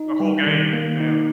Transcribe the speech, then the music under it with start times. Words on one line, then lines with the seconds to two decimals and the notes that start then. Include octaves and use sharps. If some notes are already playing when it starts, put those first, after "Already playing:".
the whole game and and
Already playing: D#4
0.20 G3
0.47 D#3
0.73 A#3
1.00 D#4